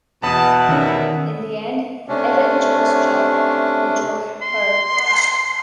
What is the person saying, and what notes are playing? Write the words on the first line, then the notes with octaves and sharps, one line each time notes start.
In the end, Erin chose Chad, who chose her.
E2 B2 D#5 F#5 A5 B5
D#3 C#4 E5
C3 A3 C#4 D4
C6